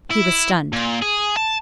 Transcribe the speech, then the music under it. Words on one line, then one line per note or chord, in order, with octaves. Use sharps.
He was stunned.
E4
A#2
G#4
A5